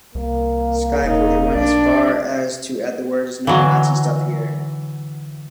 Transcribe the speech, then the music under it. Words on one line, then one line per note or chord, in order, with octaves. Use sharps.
Skyforger went as far as to add the words 'No Nazi Stuff Here!
C2 A#3
E1 D#4
B1 D4 D5
D3 E3 F#3 F5